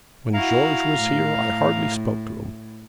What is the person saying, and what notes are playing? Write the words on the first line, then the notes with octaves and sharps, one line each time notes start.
When George was here, I hardly spoke to him.
E4 F#4 F5 A#5
A2